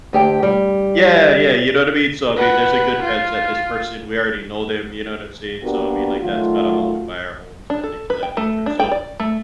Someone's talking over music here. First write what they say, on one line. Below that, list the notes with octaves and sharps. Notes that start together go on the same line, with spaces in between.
Yeah, yeah, you know what I mean, so I mean, there's a good chance that this person we already know them, you know, what I'm saying, so, I mean, like, that's kinda how we buy our homes and things of that nature, so,
D2 G4 G5
G3
B4 F#5
F4
A#3 B3 D4 F#4 G4 A#4
D#3 F#3 A3 F4
D4
A4
B4
G5
A3
D4
G5
D5
A3